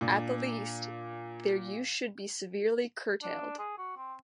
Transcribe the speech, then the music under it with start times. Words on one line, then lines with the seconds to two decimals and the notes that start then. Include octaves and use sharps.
At the least, their use should be severely curtailed.
0.01 A#2 D4
3.23 D4
3.59 G#4
3.78 F#4
3.97 C4